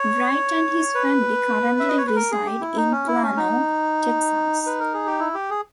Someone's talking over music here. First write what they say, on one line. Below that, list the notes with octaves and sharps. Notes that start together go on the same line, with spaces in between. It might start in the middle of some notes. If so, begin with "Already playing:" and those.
Wright and his family currently reside in Plano, Texas.
Already playing: C#5
B4
E5
D#5
C#5
B4
A#4
G#4
G4
E4
D#4
C#4
E4
C#4
D#4
B4
A#4
G#4
G4
E4
G4
G#4